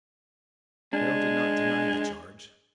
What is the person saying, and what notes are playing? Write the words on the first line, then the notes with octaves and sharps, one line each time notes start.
Beryl did not deny the charge.
G#3 D4 G#5